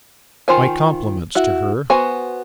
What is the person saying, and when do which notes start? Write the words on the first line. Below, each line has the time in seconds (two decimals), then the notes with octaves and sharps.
'My compliments to her.
0.48 D#3 F4 C5 G#5
1.35 E4 F#4
1.90 B3 F#4 C5 G#5